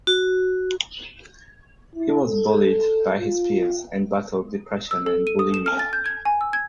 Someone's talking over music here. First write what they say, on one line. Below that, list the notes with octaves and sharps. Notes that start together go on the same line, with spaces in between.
He was bullied by his peers and battled depression and bulimia.
F#4
E4
A4
F4
E6
A4
D#7
D#6
E7
F6
A6
G6
G#6
G#5
E6
G#6